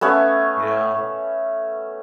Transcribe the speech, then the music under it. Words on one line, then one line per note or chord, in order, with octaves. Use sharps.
You know?
A3 B3 C#4 F5